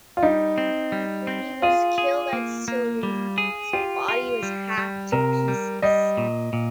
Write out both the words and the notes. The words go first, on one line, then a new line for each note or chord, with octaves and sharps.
When he was killed at Sillery, his body was hacked to pieces.
F4
G3 D#4
C4
G3
C4
F4 G#4
G#4
A#3
A#3
G3
G#4
F4 G4
F4
G3
G3
C3 A#4
G3
G3 D#5
A#2
A#2